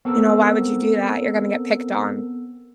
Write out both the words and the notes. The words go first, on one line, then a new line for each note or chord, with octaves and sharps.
"You know, why would you do that? You're gonna get picked on."
B3 C4 A4 A#4 E6